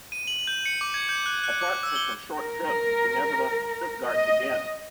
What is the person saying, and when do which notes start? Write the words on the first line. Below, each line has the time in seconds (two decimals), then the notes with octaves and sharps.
Apart from some short trips he never left Stuttgart again.
0.12 D#7
0.27 F#7
0.47 G6
0.66 C#7
0.81 D6
0.94 G#6
1.09 G6
1.26 F#6
1.43 F#6
1.61 D6
1.83 E6
1.96 G7
2.37 A#4
4.07 D#5